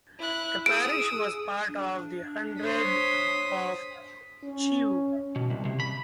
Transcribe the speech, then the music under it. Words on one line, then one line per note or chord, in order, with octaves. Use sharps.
The parish was part of the hundred of Chew.
E4 F#6
G#4 D#6 E6 D7
D4
C5 C#5 D#6 B6
C#4
B2
C2
C3
B5